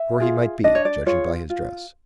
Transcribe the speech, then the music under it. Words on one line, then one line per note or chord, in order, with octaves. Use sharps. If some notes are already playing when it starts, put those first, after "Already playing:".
Poor he might be, judging by his dress.
Already playing: E5
F4 G#4
D4 D#5
C#5
D5
F4 G#4 C#5
F4